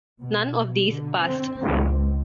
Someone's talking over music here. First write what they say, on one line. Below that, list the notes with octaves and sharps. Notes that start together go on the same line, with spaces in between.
None of these passed.
B2
D3
C4
C#2